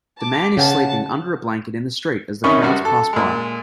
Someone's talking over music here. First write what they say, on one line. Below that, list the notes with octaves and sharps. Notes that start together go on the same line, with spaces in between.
The man is sleeping under a blanket in the street as the crowds pass by.
A5 D6
C#3 F#5 A5
C3 D#3 C#4 B4 D#5 C#6
C#2 G3 F#4
A4
A#2 G#3